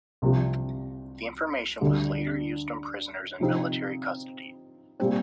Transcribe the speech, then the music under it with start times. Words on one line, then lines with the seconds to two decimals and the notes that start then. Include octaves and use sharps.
The information was later used on prisoners in military custody.
0.22 C2 C3 F3
1.81 D2 D3 G3
3.40 C3 F3 C4 D#4
5.00 A#2 G3 C4